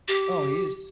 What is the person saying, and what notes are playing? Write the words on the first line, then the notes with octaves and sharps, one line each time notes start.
Oh, he's
G4